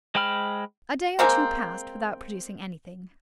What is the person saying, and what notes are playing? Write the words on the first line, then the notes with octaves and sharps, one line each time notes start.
A day or two passed without producing anything.
G#3 C5 G5 B5 F6
G#3 A#3 C4